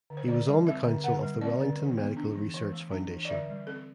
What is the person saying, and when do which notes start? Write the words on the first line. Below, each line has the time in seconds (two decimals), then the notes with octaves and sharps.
He was on the council of the Wellington Medical Research Foundation.
0.10 D3
0.17 C5
0.28 D3 D5
0.47 G3
0.67 C4 E5
0.84 D3
1.04 D3 F#5
1.23 G3
1.41 C4 D5
1.60 D3
1.79 E3
1.97 B3
2.17 D4
2.35 E3
2.54 E3
2.73 A3
2.92 D4
3.11 E3
3.25 D5
3.30 D3 E5
3.49 G3
3.67 C4 A4